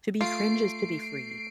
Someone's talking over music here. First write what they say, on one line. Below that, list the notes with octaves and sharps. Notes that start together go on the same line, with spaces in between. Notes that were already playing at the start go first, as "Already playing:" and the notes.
To be cringe is to be free.
A3 F4 C7 D7